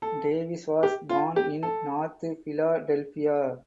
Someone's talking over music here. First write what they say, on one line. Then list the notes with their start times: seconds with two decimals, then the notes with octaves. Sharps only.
Davis was born in North Philadelphia.
0.02 A4
0.83 G4
1.09 F4
1.36 G4
1.63 A4